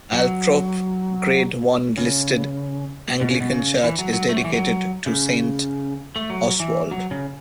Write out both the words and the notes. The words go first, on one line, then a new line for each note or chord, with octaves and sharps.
Althorpe Grade One listed Anglican church is dedicated to Saint Oswald.
F#3
C#3
B2
C#3
B2
C#3
E3
F#3
F#3
A3
F#3
E3
F#3
C#3
A3
F#3
E3
F#3
C#3